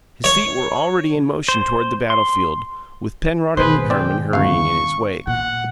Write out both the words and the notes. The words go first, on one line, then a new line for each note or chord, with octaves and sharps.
His feet were already in motion toward the battlefield, with Penrod and Herman hurrying in his wake.
C#5
C5
C6
B2 D#3 G#4 B4 C5
C4 D5 G5
G1 C#2 F5 C#6
A#2 F#5